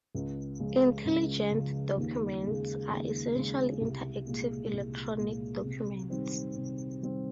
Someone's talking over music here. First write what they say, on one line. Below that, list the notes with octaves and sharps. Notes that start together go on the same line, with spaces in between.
Intelligent documents are essentially interactive electronic documents.
C#2
C#3 F3 G#3
C#2
C#3 F3 G#3
D#2
C#3 G#3
D#2
C#3 G#3
C2
A#2 G#3
C2
A#2 G#3
C3
D#3 G3 C4
C3
D#3 G3 C4